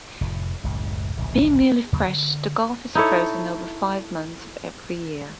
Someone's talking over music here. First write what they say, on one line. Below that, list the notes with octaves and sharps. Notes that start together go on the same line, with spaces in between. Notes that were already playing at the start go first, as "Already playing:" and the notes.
Being nearly fresh, the gulf is frozen over five months every year.
F1 A2
F#1 C#2 A2 C#3
D1 A#1 C#3
B3
D#2 C#3 F#3 A#3
D3
D#4 E4 A4 C#5